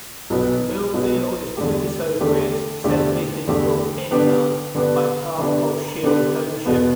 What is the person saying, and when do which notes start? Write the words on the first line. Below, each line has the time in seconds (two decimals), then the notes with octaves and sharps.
Millvale is to the southwest, separated from Etna by part of Shaler Township.
0.30 B1 B2 B3
0.94 B1 B2 B3
1.57 E2 D3 A3 G4
2.20 E2 D3 A3 G4
2.84 E2 D3 A3 G4
3.47 E2 D3 A3 G4
4.11 D3 B3 D4 G4 B4
4.75 D3 B3 D4 G4 B4
5.38 D3 B3 D4 G4 B4
6.03 D3 B3 D4 G4 B4
6.66 E2 B2 B3